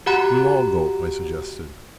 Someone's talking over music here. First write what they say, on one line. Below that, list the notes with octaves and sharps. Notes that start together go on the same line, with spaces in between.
"We'll all go," I suggested.
F#4 G4 F#5 A#5 B5 F#6